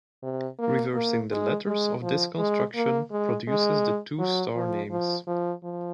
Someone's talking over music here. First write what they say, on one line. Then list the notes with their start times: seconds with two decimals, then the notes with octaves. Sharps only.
Reversing the letters of this construction produces the two star names.
0.23 C3
0.59 A#3
0.94 A#3
1.31 G#3
1.67 G#3
2.02 F3
2.38 G#3
2.75 A#3
3.12 G#3
3.47 G#3
4.18 F#3
4.56 F3
4.91 F3
5.27 F3
5.64 F3